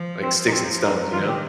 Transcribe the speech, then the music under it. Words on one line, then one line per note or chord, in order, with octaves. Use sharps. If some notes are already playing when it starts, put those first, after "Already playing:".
like, sticks, and stones, you know?
Already playing: F3
C4
D#4
C4
D#4
D#3 F4
G4